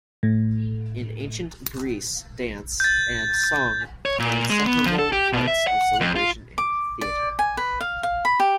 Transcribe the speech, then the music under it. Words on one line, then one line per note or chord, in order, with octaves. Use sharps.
In Ancient Greece dance and song were inseparable parts of celebration and theatre.
A2
G6 A6
C#5
A#2
G#3
B3
F3
A4
G4
B2
E5
F#5
F2
F4
D6
D5
G#5
B4
F5
F5
B5
G4